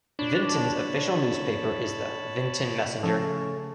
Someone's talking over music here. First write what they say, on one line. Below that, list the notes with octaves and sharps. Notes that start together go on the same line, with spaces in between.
Vinton's official newspaper is the "Vinton Messenger".
D4 C#5 A5 B5
C#3 F3 A3 C#4 A4 A5